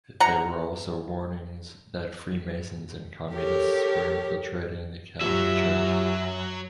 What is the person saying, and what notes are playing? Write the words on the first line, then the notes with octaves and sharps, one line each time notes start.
There were also warnings that Freemasons and Communists were infiltrating the Catholic Church.
F#5 A#5
G4 A4 A#4 C#5
F#2 F#3 F4 G4 E5